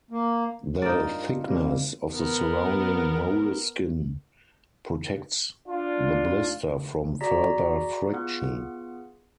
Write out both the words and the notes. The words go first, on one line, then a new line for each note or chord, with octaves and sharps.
The thickness of the surrounding moleskin protects the blister from further friction.
A#3
G2 D#4 F4 A#4 D5 A5
C#3 G3 A#3 C4
B3 A#4
D4 F4
F#4 G#4 D5 A#5 A#6 B6
B3 F4 G#4 F#5